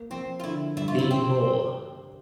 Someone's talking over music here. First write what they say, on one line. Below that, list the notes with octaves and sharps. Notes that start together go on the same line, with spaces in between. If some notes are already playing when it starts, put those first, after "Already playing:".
Be Moore.
Already playing: A#3
F3 C4
F4
D3 E4
G2 E4
F4
E4
C4 G4